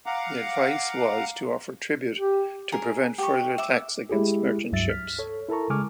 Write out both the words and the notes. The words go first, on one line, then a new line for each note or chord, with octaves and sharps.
The advice was to offer tribute to prevent further attacks against merchant ships.
F5 F#5 A#5 D6
G4
G#4 A#4
G4 C#6
E5 D6
G#3 E4 G4 G#4
C#2 G2 F#3 E5 A6
F6 B6
A4 C#5
E4 A4 A#4 A5 A#5 C#6
C#3 G#3 G#5 C#6 D6 F6